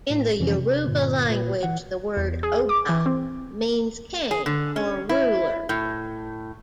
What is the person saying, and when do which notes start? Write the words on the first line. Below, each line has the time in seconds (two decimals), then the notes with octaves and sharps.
In the Yoruba language, the word "oba" means king or ruler.
0.10 A2
0.40 F2 C3 E3 F3 C#4
0.57 C3
0.86 G2 A#2 D3
1.30 A#2 B4
1.63 E3 F#5
2.17 E2
2.43 G#4
2.69 D6
2.89 E3
3.06 C4
4.31 G#4
4.46 D3
4.76 C#4
5.09 E4
5.69 A2